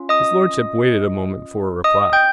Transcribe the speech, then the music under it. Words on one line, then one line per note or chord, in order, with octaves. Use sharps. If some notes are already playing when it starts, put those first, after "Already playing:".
His lordship waited a moment for a reply.
Already playing: C#4 F4
D#5 D#6
D#5 D#6
G5 G6